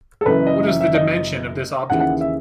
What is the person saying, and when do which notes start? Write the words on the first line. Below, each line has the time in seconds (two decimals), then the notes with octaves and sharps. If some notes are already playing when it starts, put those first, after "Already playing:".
What is the dimension of this object?
0.21 A4
0.26 F#1 F#2 E3 B4
0.47 D#5
0.67 E5
0.81 E5
0.94 D#5
1.90 D#2 C#3 E3 F#5
2.00 F#5
2.21 E5